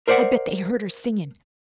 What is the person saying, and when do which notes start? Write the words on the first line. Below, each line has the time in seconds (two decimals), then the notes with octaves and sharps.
I bet they heard her singin'!
0.08 A#4 C5 D5 E5 F#5